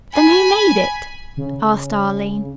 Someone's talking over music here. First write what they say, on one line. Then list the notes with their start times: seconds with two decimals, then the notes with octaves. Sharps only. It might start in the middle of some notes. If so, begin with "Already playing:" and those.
"Then, who made it?" asked Arline.
0.12 G#5 B5
1.37 C#3